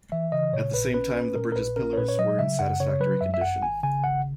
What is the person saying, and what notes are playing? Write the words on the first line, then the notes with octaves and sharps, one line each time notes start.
At the same time, the bridge's pillars were in satisfactory condition.
E3 E5
C#3 D#5
A#2 C#5
A#1 B4
C#4 B4
C#4 B4
A#2 A#4
A#4
A#1 B4
C#4 A#4
C#5
A#2 B4
C#5
F#3 D#5
C#3 E5
F#2 F#5
C#3 C#5
F#3 B4
F#2 E5
E5
G#1 F#5
G#1 G#5
C#3 G#5
G#1 F#5